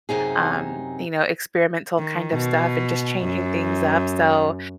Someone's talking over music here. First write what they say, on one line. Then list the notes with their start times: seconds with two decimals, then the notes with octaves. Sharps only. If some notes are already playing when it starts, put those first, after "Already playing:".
um, you know, experimental kind of stuff, and just changing things up. So,
0.09 F#2 C3 D#4 G#4
1.98 D#3
2.32 B2
3.25 F#2